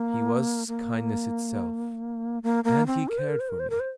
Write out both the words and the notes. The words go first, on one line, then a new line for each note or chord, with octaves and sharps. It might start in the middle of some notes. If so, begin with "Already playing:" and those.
He was kindness itself, and he cared for me.
Already playing: A#3
A#3
A#3
A#3
C4
A#4
C5
A#4
C5
A#4
C5
A#4
C5